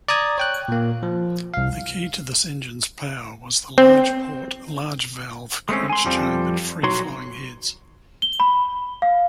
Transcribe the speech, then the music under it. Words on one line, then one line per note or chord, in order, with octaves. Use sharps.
The key to this engine's power was the large-port, large-valve, quench-chambered, free-flowing heads.
D5 A#5 D#6 G#6
C#5 G5 F#6
A#2 A#3
F3
C2 F5
C4
G#3 A3 C4 C#4
G#5 C6
F2 F3 G3 C4
B1 D#4 F#4 C#5 C6
G7
B5
F5